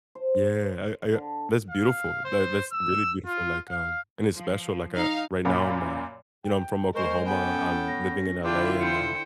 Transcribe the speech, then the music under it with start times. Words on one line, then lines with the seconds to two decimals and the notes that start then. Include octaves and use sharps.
Yeah, I I that's beautiful that that's really beautiful, like, um, and it's special, like, uh, right now, I'm a you know, I'm from Oklahoma. I'm living in LA and, um,
0.15 C5
1.15 D3
1.70 F5
2.25 C5
2.72 E6
3.26 F4
3.69 F5
4.33 F3
4.95 D#4 F5
5.45 F#2 A#2 F5 B5
6.44 G5
6.95 G#3 A#4 C5 C#6
7.26 B3 C#4 A4 G5 G#5
7.88 A#6
8.44 D3 D4 E4 F4 G5 D6
8.80 C5 G5 C#7